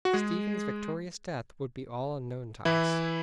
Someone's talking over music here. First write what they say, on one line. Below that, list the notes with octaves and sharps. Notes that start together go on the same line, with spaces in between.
Stephen's victorious death would be all unknown to us.
F#4
G#3 G#4
E3 E4